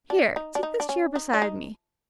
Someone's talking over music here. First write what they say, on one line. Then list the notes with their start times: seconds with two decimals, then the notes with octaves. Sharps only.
Here, take this chair beside me.
0.10 D4
0.36 D#4
0.55 D4
0.63 D#4
0.80 D4
0.89 C#4
1.16 D#4
1.33 D4
1.42 D#4